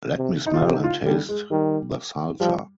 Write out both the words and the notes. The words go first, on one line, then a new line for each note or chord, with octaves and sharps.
Let me smell and taste the salsa.
C3
D#4
F4
C3 G4
D#4
F4
D3 G3
G#3
D#3 G3
F3 G3